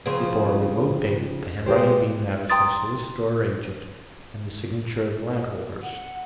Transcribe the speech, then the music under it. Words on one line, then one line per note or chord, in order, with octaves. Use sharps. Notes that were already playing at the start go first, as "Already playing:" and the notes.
It bore a remote date, the handwriting being that of some solicitor or agent, and the signature the landholder's.
C#3 F3 C4
G#3 G4 B4 C5
G5 A#5 C6 D#6 A6
F#5